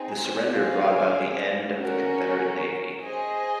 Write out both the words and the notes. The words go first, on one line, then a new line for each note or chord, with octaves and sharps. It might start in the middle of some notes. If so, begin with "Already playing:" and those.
This surrender brought about the end of the Confederate navy.
Already playing: C4 D#4 G#4
G#4 C5 F5 G#5
C#4 F#4 A#4
G#4 C5 D#5 G#5